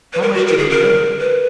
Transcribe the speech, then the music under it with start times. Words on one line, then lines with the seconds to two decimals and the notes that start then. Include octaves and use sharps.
How much did he know?
0.13 B4
0.22 A#4
0.34 F#4
0.46 A#4
0.58 G#4
0.70 A#4
1.19 B4